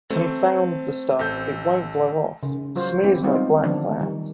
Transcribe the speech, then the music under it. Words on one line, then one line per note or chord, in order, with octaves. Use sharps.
Confound the stuff, it won't blow off — smears like black fat!
F#3 A3 C4
A1 A4 G6
C#3
F#3 F4 F#4 C5
B3 C4 E4 G4
G3 G#3 B3 C4 D#4 F4
D3 D#3 F3 A3 B3 D4
D#3 G3